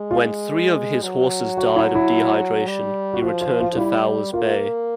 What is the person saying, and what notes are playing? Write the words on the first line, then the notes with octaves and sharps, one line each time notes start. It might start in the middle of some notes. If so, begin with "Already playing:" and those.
When three of his horses died of dehydration, he returned to Fowler's Bay.
Already playing: G#3
F4
F#3
F#4
E4
E4
G3
F#4
F3 F4
F4
F4
F4
G3 E4
A#3 F4